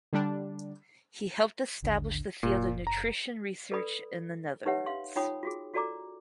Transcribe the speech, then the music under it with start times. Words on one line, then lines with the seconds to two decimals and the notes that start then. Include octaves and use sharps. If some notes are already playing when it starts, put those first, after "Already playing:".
He helped establish the field of nutrition research in the Netherlands.
0.13 D3 G3 D4
1.82 A1 D#2 D3
2.43 F#1 A#2
2.87 A#5
3.72 A4 B4 D5 B5 D#6
4.66 D#4 G4 B4 C#5 E5 F#5
4.86 F5 C6
5.16 D#4 F4 C#5 G5 B5 D#6
5.43 F4 F#4 G#4
5.74 F4 F#4 A4 D5 A#5 D6